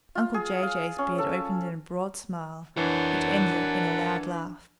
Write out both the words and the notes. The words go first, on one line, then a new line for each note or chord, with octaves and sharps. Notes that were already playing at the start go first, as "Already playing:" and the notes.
Uncle Jay-Jay's beard opened in a broad smile, which ended in a loud laugh.
F4
G#4
F5
C#4
A4
E3 D4 A#4 C#5 F#5 A5